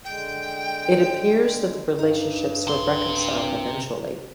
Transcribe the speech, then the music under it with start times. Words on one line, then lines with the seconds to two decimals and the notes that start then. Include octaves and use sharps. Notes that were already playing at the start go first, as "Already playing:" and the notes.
It appears that the relationships were reconciled eventually.
0.05 D3 G#3 G5
1.99 G2 D#4
2.67 B1 C3 C6